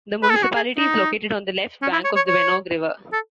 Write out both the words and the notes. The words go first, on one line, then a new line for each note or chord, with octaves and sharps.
The municipality is located on the left bank of the Venoge river.
B4
A4
G#4
F#4
G#4
D#4
C#4
E4
C#5
C#5
C#5
A4